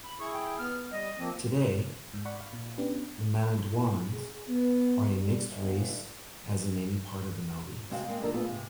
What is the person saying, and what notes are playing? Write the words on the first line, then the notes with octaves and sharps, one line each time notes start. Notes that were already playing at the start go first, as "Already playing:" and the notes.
Today, the Manaduans are a mixed race as in any part of the Maldives.
B5
E4 G#4 C#6
G5
B3 F6
G3 D#5
F3 A#3 C4
G#2
D5 F#5 B5 C#6
F5
A#2
B3 C#4 D4 G4 B4
E4
G#4
B3
G3
G1
C3 G#3 C4 F#4 C5 F5
G#3 A#3 C4
A#3 D4 D#4 F4 A4 A#4
A3 B3 F4 G#4
G#2 C3